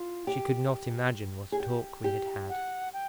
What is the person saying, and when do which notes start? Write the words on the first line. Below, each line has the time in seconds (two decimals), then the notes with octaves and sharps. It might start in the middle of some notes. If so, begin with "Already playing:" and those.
She could not imagine what a talk we had had.
Already playing: F4
0.27 G4
1.52 G#4
1.60 G4
2.04 G4
2.49 F#5
2.93 G5